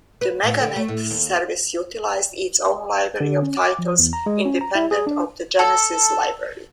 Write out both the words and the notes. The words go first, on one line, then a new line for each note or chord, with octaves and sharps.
The Meganet service utilized its own library of titles, independent of the Genesis library.
B4
A2
D3
A3
A2
D#2
D3
C#4
D6
F3
E2
A#5
G#3
C#4
A#5
E4
G#4
D4
A4